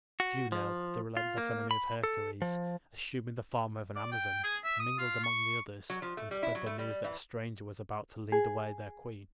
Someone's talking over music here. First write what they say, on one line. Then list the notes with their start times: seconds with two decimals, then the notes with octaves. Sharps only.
But Juno, the relentless enemy of Hercules, assuming the form of an Amazon, mingled among the others and spread the news that a stranger was about to lead away their queen.
0.20 F#4
0.52 F3
1.17 F4
1.38 A#3
1.71 B5
2.04 A4
2.42 F3
3.96 D5
4.12 G5
4.44 G#4
4.64 E5
4.80 D#6
4.98 F4
5.24 C#6
5.90 F#3
6.02 F3
6.17 A3
6.31 G3
6.43 E4
6.55 F#3
6.66 A3
6.79 G3
7.04 E3
8.32 G#4